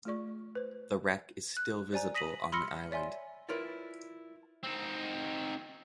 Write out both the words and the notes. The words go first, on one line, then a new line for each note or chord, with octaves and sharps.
The wreck is still visible on the island.
A3 F4 G#4 D5 C#6
B4 C5
F#6
C5 D5 G#5 A#5
D#6 A#6 B6 D#7 F#7
B5 C6 E6 F6 A#6 C#7
C#5 D5 E5 G#5 C6
E4 F4 A#4 B4 C#5 D5
C4 D#4